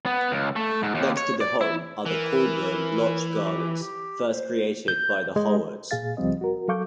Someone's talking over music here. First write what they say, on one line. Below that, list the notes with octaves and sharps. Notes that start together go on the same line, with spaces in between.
Next to the home are the Colborne Lodge Gardens, first created by the Howards.
B3
C#2
A3
G#2
D#2
C#5
D5
E4
E3 A#4
G4
G4
C5
G6
G#3
A#2 G#4 F5 A6
C#2 F3 G3 C4 D#5
F#4 A#4
F#3 A4 F5 C#6 D6 G6